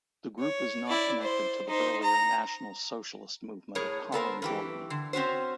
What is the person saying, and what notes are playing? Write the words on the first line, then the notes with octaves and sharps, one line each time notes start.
The group is not connected to the earlier National Socialist Movement of Colin Jordan.
C#5
E4 D5
C5
D#4 C5
A#5
A2 G#4 A#4 C#5
B3 A4 A#4 C5
G2 E3 G4
D3
C4 C#4 F#4 C5